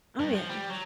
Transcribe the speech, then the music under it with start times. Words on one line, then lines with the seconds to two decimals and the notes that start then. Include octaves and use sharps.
Oh yeah.
0.19 G2
0.34 F3
0.49 G3
0.69 F#3